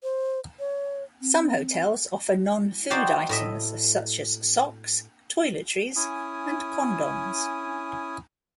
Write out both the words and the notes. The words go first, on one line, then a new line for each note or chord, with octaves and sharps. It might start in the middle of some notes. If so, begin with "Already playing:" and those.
Some hotels offer non-food items, such as socks, toiletries, and condoms.
C5
C#5
C4
D#4 F#4 C5 D5 F5 G5
A2 D#5 E5
C#4 E4 G#5 D#6